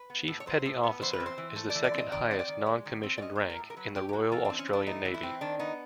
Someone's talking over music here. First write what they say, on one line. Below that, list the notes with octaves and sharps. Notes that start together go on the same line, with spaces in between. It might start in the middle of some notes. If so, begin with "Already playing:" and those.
"Chief Petty Officer" is the second highest non-commissioned rank in the Royal Australian Navy.
Already playing: B4
B3
A2
C#5
F#3 C5
A2
B3
E3 C5
B4
C4
C5
E3
A3
D5
E3
D5
C4 D#5
D#3 D5
C4 D#5
D5
D#3
G#3
D#3
C4
D5
C#4 D#5
A#3 C5
A#4
A2
A#4
F#3 B4
C#4 G4
G4
A#3 F#4
E3 F4
D4
C4
C#4
E3
D4
A3 D#4
E3
E4
C4
D#3 D4
B3 D#4